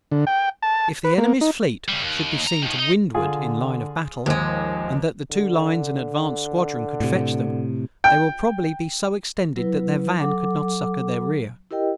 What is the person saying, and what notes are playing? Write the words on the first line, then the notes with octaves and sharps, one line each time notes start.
If the Enemy's Fleet should be seen to windward in line of battle, and that the two lines and advanced squadron could fetch them, they will probably be so extended that their van could not succour their rear.
D3
G5
A5
B4
A#3
D#4
C#3 G3
D#2
D2 A#5
D#3 F3
D#4
D3 F4 G#4
D#2 G#2 F3 G#3
D3
A2 C3
G5
F#3 E4 B4
F#3 A4 F#5 D6
E4 G4 A#4 D#5 G5